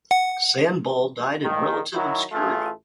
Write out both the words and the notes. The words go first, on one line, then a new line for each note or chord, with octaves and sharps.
San Baw died in relative obscurity.
F#5
A#1 D#3
D#3 F#3 E4 F#4
A1 A3 F4 G#4